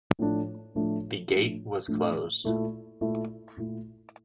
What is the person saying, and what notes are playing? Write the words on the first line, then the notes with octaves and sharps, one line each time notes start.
The gate was closed.
A2 F3 A3 D4
A2 F3 A3 D4
A2 F3 A3 D4
A2 F3 A3 D4
A#2 A3 E4
A#2 A3 E4
A#2 A3 E4